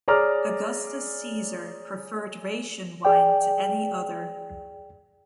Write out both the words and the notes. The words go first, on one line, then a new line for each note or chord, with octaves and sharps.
Augustus Caesar preferred Raetian wine to any other.
G#4 C#5 D5 A#5 D6 F6
G#4 D5 G5